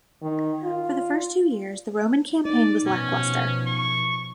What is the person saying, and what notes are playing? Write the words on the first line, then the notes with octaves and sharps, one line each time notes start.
For the first two years, the Roman campaign was lacklustre.
D#3
F4
D#4 D5
B2 F3 C#4
C#6